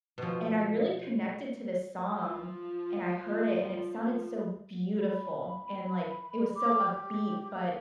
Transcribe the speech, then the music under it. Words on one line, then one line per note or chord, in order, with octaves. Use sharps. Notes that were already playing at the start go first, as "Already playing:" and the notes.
and I really connected to this song, and I heard it, and it sounded so beautiful, and, like, it was so upbeat, but
B2 F3
F3 F4
B5
D6
G4